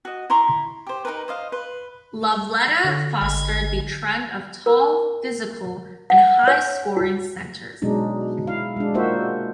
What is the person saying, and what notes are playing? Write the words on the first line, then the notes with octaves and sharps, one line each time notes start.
Lovellette fostered the trend of tall, physical and high-scoring centers.
F#4 D#5
E4 A#5 C6 C#6
G4 C5
D#4 G4 A#4 B4
C5 D#5 F5
B4 C6
D3 C#5
G#1 G#5
A#4
F#5
C#5
F#4
B2 F#3 G#3 D4 D#4
E4 F5
G#3 D4
A#3 D#4 F4 F#4 C5 E5